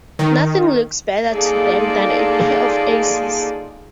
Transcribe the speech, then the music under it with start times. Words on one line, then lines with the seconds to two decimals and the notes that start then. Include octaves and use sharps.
Nothing looks better to them than a pair of aces.
0.19 D#3
1.30 A#3 D#4 F4 G#4 A4 D5